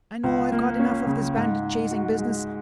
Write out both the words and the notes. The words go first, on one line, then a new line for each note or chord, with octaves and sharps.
I know I've got enough of this bandit-chasing business.
C#2
A#3
C#4
C#3
G#2
D#4
F#4
G#3